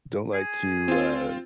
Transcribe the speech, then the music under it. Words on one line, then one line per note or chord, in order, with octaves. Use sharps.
don't like to, uh,
G#4
C4 F4